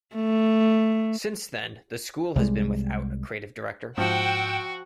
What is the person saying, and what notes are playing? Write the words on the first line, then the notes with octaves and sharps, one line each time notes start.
Since then the school has been without a creative director.
A3
C2 G3 G#3
G#2 F3 F#4 F#5 G5 E6